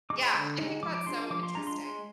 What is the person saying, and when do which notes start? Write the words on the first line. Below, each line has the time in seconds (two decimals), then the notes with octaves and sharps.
yeah, I think that's so interesting.
0.10 G#3 D#4 D6
0.22 C6
0.34 D3
0.58 G#3 D#4
0.83 F3 D6
0.95 D6
1.07 G#3 D4 F4 C6
1.30 F3 D6
1.43 C6
1.55 G#3 D4 F4 A#5
1.67 C6
1.79 G#3